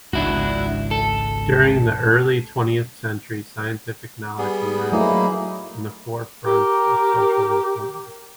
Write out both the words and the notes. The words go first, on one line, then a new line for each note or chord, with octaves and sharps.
During the early twentieth century, scientific knowledge emerged in the forefront of social importance.
G#1 C#2 G#2 D4 E4 F#4
A4
G3 B3 G#4
F#3 A3 A#3 D#4 E4 G#4
G4 A#4